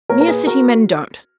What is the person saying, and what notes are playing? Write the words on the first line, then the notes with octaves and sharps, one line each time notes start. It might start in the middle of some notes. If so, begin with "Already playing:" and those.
Mere City men don't.
A#2 A#3 A#4 C#5
A#4
G#4 B4
F#4 A#4